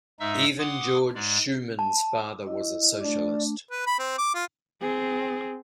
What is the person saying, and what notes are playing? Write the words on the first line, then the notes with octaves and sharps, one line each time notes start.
Even Georg Schumann's father was a socialist.
G#2 G#3 D#4 E5 E6
F#5 C6 D6 D#6
G#2 G#3 D5
A5
E4 D#5
A3 D4 D5
B4
B5
C4
D6
F4
C4 G#4